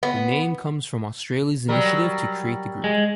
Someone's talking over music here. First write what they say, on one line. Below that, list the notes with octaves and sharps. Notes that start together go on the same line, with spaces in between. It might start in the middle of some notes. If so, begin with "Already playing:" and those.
The name comes from Australia's initiative to create the group.
B3
F#3 G3 A#4
G#3